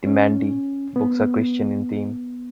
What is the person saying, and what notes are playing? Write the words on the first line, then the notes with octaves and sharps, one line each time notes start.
The "Mandie" books are Christian in theme.
C#4
B3